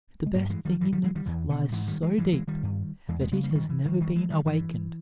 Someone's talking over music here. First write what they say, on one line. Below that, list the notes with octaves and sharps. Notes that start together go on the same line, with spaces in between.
The best thing in them lies so deep that it has never been awakened.
G#3
G2 G3 A#3
E3 G#3
D#3 G3
G2 E3
D#3 G3
E3 G#3
D#3 G3
E2 E3
B2 D#3
G#2 E3
D#3 G3
E3 G#3
G2 E3
E3 G#3
D#3 G3
G2
E2 E3 G#3
G#3 B3
C#3 G#3 B3
G3 A#3
G2 D#3 G3
E3
D#3 G3
G2 D#3 G3
E3 G#3
D#3 G3
G2 E3